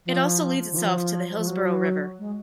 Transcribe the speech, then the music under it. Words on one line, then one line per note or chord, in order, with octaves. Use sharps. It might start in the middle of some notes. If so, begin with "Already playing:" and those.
It also leads itself to the Hillsborough River.
F3
D#3
F3
F3
F#3
G#3